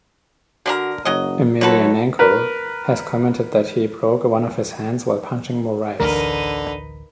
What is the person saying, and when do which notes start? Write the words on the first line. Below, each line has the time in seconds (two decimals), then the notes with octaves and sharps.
Emelianenko has commented that he broke one of his hands while punching Morais.
0.66 D3 D4 F#4 A#4
1.05 F#1 F#2 F#3 D#5
1.61 D3 F#3 D#4 F#4 A4 B4 C#5
2.19 A#4 B4
6.00 A1 D2 D3 D#4 A#4 B4